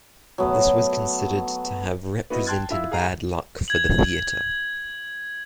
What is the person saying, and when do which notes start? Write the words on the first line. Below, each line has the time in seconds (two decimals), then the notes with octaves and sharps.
This was considered to have represented bad luck for the theatre.
0.38 F#3 A3 B3
2.30 B3 E4 F#4 B4 D#5
2.46 G5 A5 C6 F#6 G#6 A6
2.70 E4 F4 E5 E6
2.91 G#4 F5 F#5 A#5
3.68 G#6 F#7